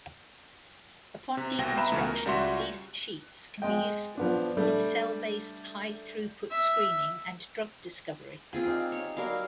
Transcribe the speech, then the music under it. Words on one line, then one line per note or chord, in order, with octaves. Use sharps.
Upon deconstruction, these sheets can be useful in cell-based high-throughput screening and drug discovery.
C3
C2 B2 G5 A#6
B4 E5 A#5 B5 E7
C#2 B2 E3 A3
A#4
C#2 G3 F#4 E5 C6
G#3 D#5 G5
F3 B3 D4
G3 A3 D4
E5
C4 F4 G#4
D#4 G4 F5
C#5 G5
F#3 G3 A#3 A#4 F5